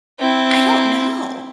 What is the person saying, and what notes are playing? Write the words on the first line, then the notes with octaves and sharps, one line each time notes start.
I don't know.
C4 E4